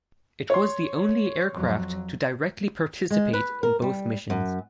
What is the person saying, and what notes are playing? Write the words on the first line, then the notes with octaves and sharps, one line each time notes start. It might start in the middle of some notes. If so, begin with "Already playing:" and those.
It was the only aircraft to directly participate in both missions.
C#5 C6
F2 F#3
G#3
B4
A#4
G3
F#2